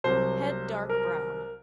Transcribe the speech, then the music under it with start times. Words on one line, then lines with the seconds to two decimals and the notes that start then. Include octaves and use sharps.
Head dark brown.
0.04 C2 C3 F#3 C5
0.89 A#4